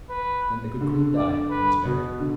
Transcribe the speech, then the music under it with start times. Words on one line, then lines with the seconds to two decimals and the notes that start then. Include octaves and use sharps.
Then the good queen died, and was buried.
0.10 B4
0.81 D3
1.16 D5
1.50 B4
1.85 B2
2.20 D3